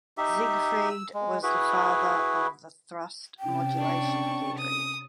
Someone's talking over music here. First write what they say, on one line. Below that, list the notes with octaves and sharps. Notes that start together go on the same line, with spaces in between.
Siegfried was the father of the "thrust modulation theory".
D#4 G4 E5
E6
G#3
E4 F#4 G#4 B4
C3 C#4 G5 A5
D4 C#6
D#6